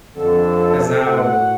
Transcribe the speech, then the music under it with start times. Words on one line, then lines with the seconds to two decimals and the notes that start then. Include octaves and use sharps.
has now
0.16 F2 D3 A4
1.05 A2 F#4 F#5